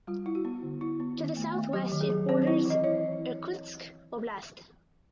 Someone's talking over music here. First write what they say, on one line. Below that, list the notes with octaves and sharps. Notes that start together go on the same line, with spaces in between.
To the southwest it borders Irkutsk Oblast.
G3 F4
E4
F#4
B3
D3
E4
B3
D#3
A3
A3
F#3 G4
D#3
G#4
F#3
C4 C5
C#5
E4
E3 D#5
E4 C#5